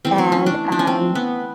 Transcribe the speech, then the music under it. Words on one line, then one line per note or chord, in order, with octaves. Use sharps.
and, um,
E3 A3 C4
C4
C#4
D4
D4
C#4
C4
B3